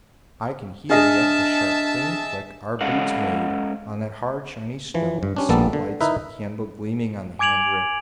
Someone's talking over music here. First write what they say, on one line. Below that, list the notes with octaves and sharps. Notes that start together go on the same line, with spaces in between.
I can hear yet the sharp clean click our boots made on that hard shiny stone--see the lights of the candle gleaming on the handrail ...
D4 G#4 D#5 E5 A5 F6
G#3 C#4 A4 D#5 F5 F#5
E3 F3
G2
G3 C#4 D4
A#1 G3 A#3 B3 A4 A5
D3
D#4 E4 A#4 B4 E5
G#5 D6 G#6 D7 F7 F#7